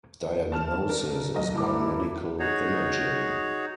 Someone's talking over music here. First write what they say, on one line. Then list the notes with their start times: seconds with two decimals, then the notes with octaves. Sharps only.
Diagnosis is by medical imaging.
0.52 A5 F6 E7
0.89 D4 A#4
1.35 B1 D#5 A#5
1.54 G2 E4 A#5 D6
2.39 D#4 F#4 G#4 C#5